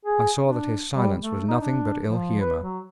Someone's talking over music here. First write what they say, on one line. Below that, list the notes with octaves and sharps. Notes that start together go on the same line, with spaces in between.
I saw that his silence was nothing but ill-humour.
G#4
D4
G3
A3
D#4
D4
F3
B4
F#3